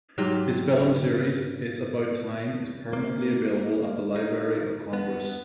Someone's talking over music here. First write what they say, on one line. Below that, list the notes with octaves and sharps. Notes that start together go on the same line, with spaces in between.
His filmed series, "It's About Time," is permanently available at the Library of Congress.
G#2 F#3 G4 F5
A#3
D#4
B3